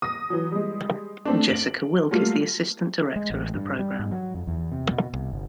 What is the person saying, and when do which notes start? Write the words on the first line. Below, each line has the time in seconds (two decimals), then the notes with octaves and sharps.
Jessica Wilke is the Assistant director of the program.
0.02 D#6 A#6
0.30 E3 F#3
0.51 G3 G#3
1.25 A3 C4 D4
1.48 D7 F#7
2.11 F#3 G3 A3 A#3 F4
3.16 G#3
3.30 A1
3.54 G2
3.79 G3
3.99 G#2
4.11 F#3
4.34 F2
4.47 E2
4.72 C3
4.91 B2
5.13 C2
5.31 G1